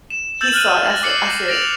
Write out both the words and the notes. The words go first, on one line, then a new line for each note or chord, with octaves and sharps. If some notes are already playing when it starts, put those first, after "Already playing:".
he saw it, I said I said
E7
E6 G6 A6 E7 F#7
F6 F#6 D#7
A#6
D6 C7 C#7 F#7
A#6 D7 F7 F#7